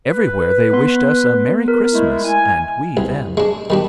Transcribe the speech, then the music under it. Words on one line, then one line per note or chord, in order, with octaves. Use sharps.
Everywhere they wished us a merry Christmas, and we them.
B4
B3 C6
A#4
G#3 A3 E4
G#5
C2
G#3 D4
D#3 G3 D4